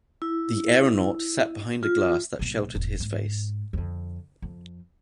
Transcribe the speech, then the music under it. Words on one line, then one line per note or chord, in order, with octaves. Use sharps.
The aeronaut sat behind a glass that sheltered his face.
E4
F4
B1 A#2
E1 A1
G#2
F2 D3
F2